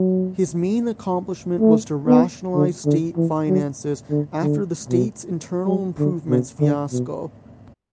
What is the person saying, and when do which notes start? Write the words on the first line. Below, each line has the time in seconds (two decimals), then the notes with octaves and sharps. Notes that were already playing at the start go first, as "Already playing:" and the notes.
His main accomplishment was to rationalize state finances after the state's internal improvements fiasco.
Already playing: F#3
1.60 A3
2.08 B3
2.55 D3
2.86 D3
3.17 E3
3.48 F#3
4.11 D3
4.42 D3
4.89 B2
5.66 F#3
5.99 D3
6.29 B2
6.61 D3
6.92 B2